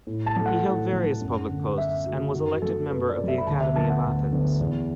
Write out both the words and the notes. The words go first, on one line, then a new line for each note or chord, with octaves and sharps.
He held various public posts and was elected member of the Academy of Athens.
A2
A5
F#3 A3
F#5
A2
F#3 A3
F#2
D3 A3
F#2 E5
D3 A3 F#4
F#2 F#4
F#4
F#3 A3 A4
F#2 B4
D5
A3
F#3 E5
B5
D2 A5
E5
D3 F#3 B3 A5
F#5
D2
D3 F#3 B3
E2